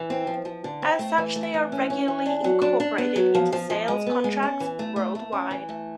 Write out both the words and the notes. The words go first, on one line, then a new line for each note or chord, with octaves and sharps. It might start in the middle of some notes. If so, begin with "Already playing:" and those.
As such they are regularly incorporated into sales contracts worldwide.
Already playing: E3
C4
F3
F3
D3
C4
A3
E3
A3
E3
C#4
C#4
E3
D4
F#3
D4
D4
B3
F#3
F3
F3
F3
G#3
B3
G#3
C#4
E3
A3
A3
A3
C#4
E3
A3